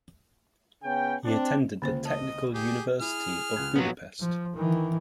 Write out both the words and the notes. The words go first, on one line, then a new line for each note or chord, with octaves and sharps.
He attended the Technical University of Budapest.
C#3 B3 C#4 G5
C4 D4
C#2 D3 A#3 C5
D#5 A5
G4 G#4
E4 G#4 F6
C#2 F#6 G#6
A#2 F3 F#3 A#3 B3
F3
D#3 E3